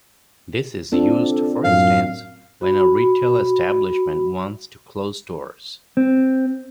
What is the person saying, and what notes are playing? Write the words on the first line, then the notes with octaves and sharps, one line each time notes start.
This is used, for instance, when a retail establishment wants to close stores.
C4 D4 F4 A4
F#2 A2 F5
F#4 B5
C4